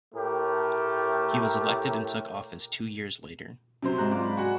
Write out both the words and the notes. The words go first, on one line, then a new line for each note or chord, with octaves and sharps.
He was elected and took office two years later.
A2 A3 G4 A#4
C3 F#3 C5
G#2 A#5 F#6
F4 D5
B5
F#4 F#5 G#5